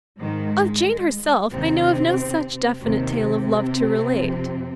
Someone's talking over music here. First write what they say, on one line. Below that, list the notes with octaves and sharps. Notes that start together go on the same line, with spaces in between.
Of Jane herself I know of no such definite tale of love to relate.
G#2 D#3 G#3
D#2 C3 D#3 C4
D#2 C3 D#3 C4
F2 F3